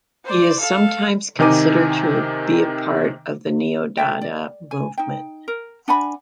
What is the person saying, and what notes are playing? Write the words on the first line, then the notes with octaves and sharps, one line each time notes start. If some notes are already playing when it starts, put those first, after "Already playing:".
He is sometimes considered to be a part of the Neo-Dada movement.
C5 D5
A4 F5
C3 D#3 D#4 G#5 D6 D#7
A4 E5 G5
D5
G#5
D#4 G5
A#4
D4 F#5 G#5 B5